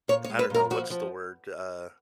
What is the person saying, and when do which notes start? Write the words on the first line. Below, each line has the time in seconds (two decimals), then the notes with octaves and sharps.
I don't know. What's the word, uh
0.08 A#2 C#5
0.24 C#5
0.30 G#3
0.39 B4
0.50 A#2 A#4
0.70 F3 F#4
0.90 F3